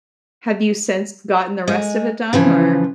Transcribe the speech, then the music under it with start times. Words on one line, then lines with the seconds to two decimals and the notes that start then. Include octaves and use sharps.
Have you since gotten the rest of it done, or
1.68 G#3
2.33 C#3 E3 F3